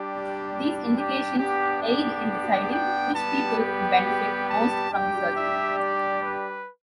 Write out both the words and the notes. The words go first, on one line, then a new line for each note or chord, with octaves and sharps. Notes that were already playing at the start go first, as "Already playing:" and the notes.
These indications aid in deciding which people would benefit most from surgery.
Already playing: G3 D4 G4
G4
B3 D4 G4
G4
G5
G3 B3 G4 A5
G5
A5
G3 D4 G4 G5
E5
D5
B4